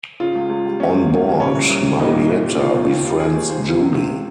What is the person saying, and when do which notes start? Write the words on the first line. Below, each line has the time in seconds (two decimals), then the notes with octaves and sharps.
On board, Marietta befriends Julie.
0.20 C#3 F4
0.35 C#2
0.50 C#2
0.65 G3
0.80 C#3 C#4
0.95 C#2
1.10 C#2
1.24 G3
1.40 A#2 C#4
1.55 C2
1.70 C2
1.85 G3
1.99 A#2 D#4
2.15 C2
2.29 C2
2.44 G3
2.59 D#3 F4
2.75 D#2
2.89 D#2
3.04 G3
3.20 D#3 G#4
3.34 D#2
3.49 D#2 C5
3.64 G3
3.80 C3
3.94 C#2